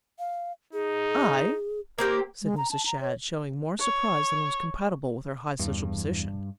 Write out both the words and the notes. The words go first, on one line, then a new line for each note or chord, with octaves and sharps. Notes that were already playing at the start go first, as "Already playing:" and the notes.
"I?" said Mrs. Shadd, showing more surprise than was compatible with her high social position.
F5
D#4 G#4
A#3 C4 G4 A#4
G#3
A#5
A5
A#5
C#5
C#5
E2 G2